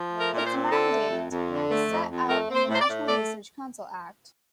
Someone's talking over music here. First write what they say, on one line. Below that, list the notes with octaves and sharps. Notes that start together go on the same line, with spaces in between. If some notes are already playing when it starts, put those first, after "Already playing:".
Its mandate is set out in the National Research Council Act.
Already playing: F3
A3
A#4
A#2 A#4
C5
C4
D3 A4
A3
F2
F2
D3
A3
F2
F2
A3 A#4
C4
C5
A2
C5
D5
A2
A3 D5